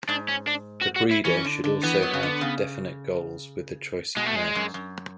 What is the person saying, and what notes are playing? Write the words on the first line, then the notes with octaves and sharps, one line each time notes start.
The breeder should also have definite goals with the choice of parents.
G#2 D4
C#4
D4
F#4
F#4
E4
E3 C#4
D3
D3
E3 B3
F#3
C#3
D3
C#3
B2 G#3
A3
G#3
F#2
F#2